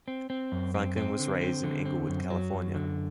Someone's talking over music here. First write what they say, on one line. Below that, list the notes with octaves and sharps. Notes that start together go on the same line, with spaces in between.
Franklin was raised in Inglewood, California.
C4
C4
F#2
C4
C4
D3
C4
D3
C4
F#2
F#3
F#2
D3